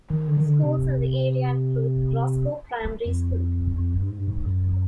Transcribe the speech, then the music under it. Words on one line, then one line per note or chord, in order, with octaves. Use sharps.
Schools in the area include Roscoe Primary School.
D#3
D3
D#3
D3
C3
F2
F2
F#2
G2
G#2
G2
G#2
F#2